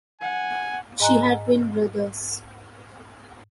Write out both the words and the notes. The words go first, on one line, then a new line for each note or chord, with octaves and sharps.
She had twin brothers.
F#5 G#5
G#2 D#5 G#5 A#5 C6 F#6